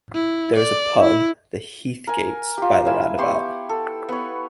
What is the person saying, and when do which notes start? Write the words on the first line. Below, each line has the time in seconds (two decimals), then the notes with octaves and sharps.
There is a pub, "The Heathgates", by the roundabout.
0.14 E4
0.56 D5
1.02 E4
2.07 A#4 G#5
2.58 F4 G4
2.86 E4 F5 G#5 E6
3.18 B3 G4 C6 C#6
3.69 A4
4.09 B3 C#5